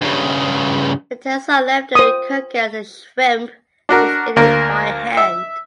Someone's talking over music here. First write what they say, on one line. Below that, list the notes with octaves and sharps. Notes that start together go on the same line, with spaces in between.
The tails are left during cooking as the shrimp is eaten by hand.
G2 C#3
C5 D#6
D4 F#4 A#4
D2 A#3 A#4
E5